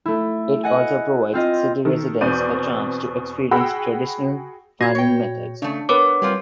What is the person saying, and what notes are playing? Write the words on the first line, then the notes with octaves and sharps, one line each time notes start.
It also provides city residents a chance to experience traditional farming methods.
A3 E4
D#5 F#5 G#5
C4 F4 D#5
D#3 A4
E2 B2 C4 D5 G6 D#7
F#4 G#4 F#5 G5 B5 E6
A#2 F#4 G#6 A#6
C#5 G5
C#3 A3 D4
B3 A#4 B4 C#5 D6
F#3 G3 C4 F4